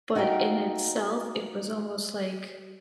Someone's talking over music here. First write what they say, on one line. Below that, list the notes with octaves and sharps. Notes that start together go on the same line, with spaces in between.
but in itself, it was almost like
D#4 F#4 A4 A#4 F5 G5